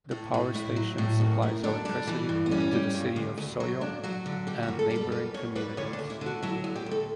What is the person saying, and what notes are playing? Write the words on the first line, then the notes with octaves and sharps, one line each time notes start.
The power station supplies electricity to the city of Soyo and neighboring communities.
A2
A2
A2 E4
F#3
A2
F#2 F#4
F#2 E4
D3 D4
G3 D4
E3
G2
B3
G3 C#4
G3
G2
D2
D2
F#3
G2 D4
F#3 F#4
D3
G3 G4
F#4
F#2
A4
G3
A4
F#2 B4
F#2 C#5
G3 B4
D2 C#5
D4
D2
E4
D3
F#4
F#3 E4
D2
G4
D2
A4